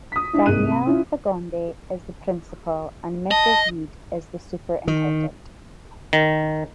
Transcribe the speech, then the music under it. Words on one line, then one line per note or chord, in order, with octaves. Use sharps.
Danielle Fagonde is the principal and Mrs. Weed is the superintendent.
D#6 B6
D4 E4
C2 G#2 A#3 F#6 D#7
C3 B5
C#4 E4 F4
D#5 A5
D#3
D#3